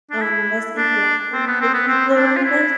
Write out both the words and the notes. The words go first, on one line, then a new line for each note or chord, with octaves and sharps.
um, less interactions with the people around us.
D4
E4
D4
C4
B3
C4
B3
C4
D4
F4
E4